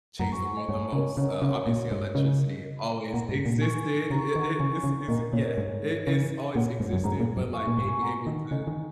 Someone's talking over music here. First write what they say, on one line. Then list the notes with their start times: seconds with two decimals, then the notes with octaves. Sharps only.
changed the world the most. Uh, obviously, electricity always existed. It it it's it's yeah. It It's always existed, but, like, being able to
0.19 F#2 F#5 A#5
0.32 G#5 C#6
0.45 F#5 A#5
0.57 D#5 G#5
0.69 G#2 C#5 F#5
0.93 C#3 A#4 D#5
1.11 A#4
1.17 C#3 C#5
1.29 A#4 D#5
1.42 C#3 C#5
1.54 F#4
1.67 A#2
1.91 G#2
2.15 C#3 A#4 D#5
2.64 A#4 D#5
3.13 A#2 F#5 A#5
3.29 G#2
3.46 A#2
3.61 G#5 C#6
4.10 C#3 A#5
4.18 C#6
4.25 A#5
4.33 C#6
4.36 D#3
4.39 F#5 A#5
4.60 C#3 G#5 C#6
4.84 C#3
5.08 A#2 A#4 D#5
5.21 A#4
5.33 A#2 C#5
5.45 A#4 D#5
5.58 G#2
6.07 C#3
6.55 A#2 C#5 F#5
6.80 G#2
6.93 F#2
7.04 G#2 F#5 A#5
7.20 A#2
7.37 F#2
7.53 G#5 C#6
7.67 A#2
7.77 G#2 G#5 C#6
7.93 C#6
8.02 F#5 A#5
8.27 D#3
8.51 C#3 D#5 G#5
8.67 D#3